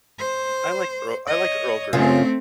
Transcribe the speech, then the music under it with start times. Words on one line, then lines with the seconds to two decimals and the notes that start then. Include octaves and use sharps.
I like Earl I like Earl Grey.
0.18 C5
1.27 C#5 D#5
1.93 F#2 C#3 A3 C4 F4